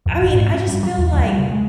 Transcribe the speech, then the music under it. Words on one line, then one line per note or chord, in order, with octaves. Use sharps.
I mean, I just feel like
F2
A1
G#2
C#4
G2
F#3
E2
D2
G3
C#3
G#3